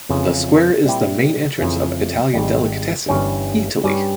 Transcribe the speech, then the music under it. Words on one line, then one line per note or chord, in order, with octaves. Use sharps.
The square is the main entrance of Italian delicatessen Eataly.
F2 C#3 E3
A#2 G3 C4 E4 G4
F2 C#3 E3
G#1 G#2 G3
G1 G2 E3 G3 C#4
G2 G3 C#4 G4